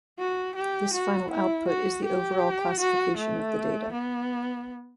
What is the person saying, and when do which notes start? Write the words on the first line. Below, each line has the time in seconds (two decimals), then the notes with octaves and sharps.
This final output is the overall classification of the data.
0.19 F#4
0.56 G4
0.93 F#4
1.31 E4
1.68 F#4
2.05 G4
2.80 F#4
3.17 A3
3.92 B3